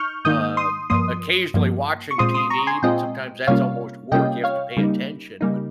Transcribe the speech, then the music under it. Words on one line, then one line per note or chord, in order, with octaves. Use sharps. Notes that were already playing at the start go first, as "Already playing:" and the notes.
um, occasionally watching TV, but sometimes that's almost work, you have to pay attention, but,
Already playing: D#4 C#6 F6 G6
G#2 D#3 A#3 D#4 D#6 G6
C6 D#6
G2 F3 A#3 C6 D#6
G2 F3 A#3
C#6
A#2 G#3 C4 F4 C6 D#6
C6 D#6
A#5 C#6
G#5 C6
A#2 G#3 C4 F4 D#5 G5
C3 G3 A#3 C#4 F4 C#5 F5
C3 G3 A#3 C#4 F4 D#5 G5
C#5 F5
C#3 G3 A#3 D#4
C#3 G3 A#3 D#4